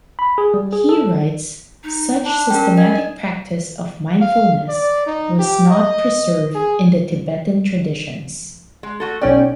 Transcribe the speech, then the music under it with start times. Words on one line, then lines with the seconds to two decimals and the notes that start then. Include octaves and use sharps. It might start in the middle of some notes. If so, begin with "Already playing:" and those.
He writes, such systematic practice of mindfulness was not preserved in the Tibetan traditions.
0.19 B5
0.38 G#4
0.54 G3
0.73 G#4
0.89 A4
1.84 D#4
2.25 D4
2.50 C#4 A#4 G5
2.77 D#5 G#5
4.21 F5
4.69 D5
5.07 D#4
5.39 G4
5.71 D#5
6.55 G#4
8.83 G#3
9.00 A3 F#4 A4
9.21 B1 C#4 D5 G5